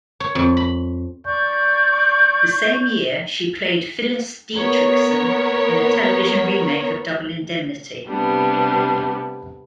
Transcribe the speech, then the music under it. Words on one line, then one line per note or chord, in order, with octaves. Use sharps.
The same year, she played Phyllis Dietrichson in a television remake of "Double Indemnity".
C#5
F2
B5
D5 C#6 G6
B3 A#4 C#5
C3 G3 B3 D4